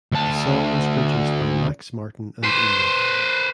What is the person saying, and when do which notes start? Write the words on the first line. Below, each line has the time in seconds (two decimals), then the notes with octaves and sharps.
The song was produced by Max Martin and Ilya.
0.12 D2 A5
2.44 B4 C5